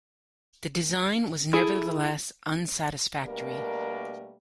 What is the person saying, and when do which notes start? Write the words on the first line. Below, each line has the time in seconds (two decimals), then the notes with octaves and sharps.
The design was nevertheless unsatisfactory.
1.53 E4 G#4 A4
3.24 B2 G3 A3 A#3 D4 A#4